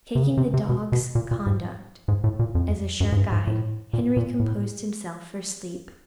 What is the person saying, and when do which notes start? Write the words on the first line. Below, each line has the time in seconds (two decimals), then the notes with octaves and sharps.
Taking the dog's conduct as a sure guide, Henry composed himself for sleep.
0.15 C3
0.23 C#3
0.37 C3
0.54 C3
0.69 B2
0.92 B2
1.15 A#2
1.31 A#2
1.47 G#2
2.08 G#2
2.24 A2
2.39 A#2
2.55 F2
3.00 F#2
3.12 G#2
3.16 G2
3.32 G#2
3.47 A2
3.93 A#2
4.17 A#2
4.40 A2